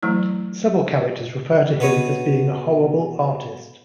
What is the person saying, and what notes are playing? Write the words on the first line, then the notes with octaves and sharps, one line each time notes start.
Several characters refer to him as being a horrible artist.
E3 F#3 A3 E4
B2 B4 C#5 D#6